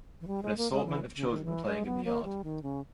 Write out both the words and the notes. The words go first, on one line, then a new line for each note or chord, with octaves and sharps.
An assortment of children are playing in the yard.
E3
G3
G#3
A#3
G#3
E3
C#3
D#3
E3
G#3
B3
A#3
G3
D#3
C#3